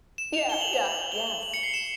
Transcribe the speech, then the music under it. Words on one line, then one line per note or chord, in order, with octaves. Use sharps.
Yeah, yeah, yes.
E7
F7
G7
F#7
F7
F#7
G7
F#7
F#7
C#7
C7
E7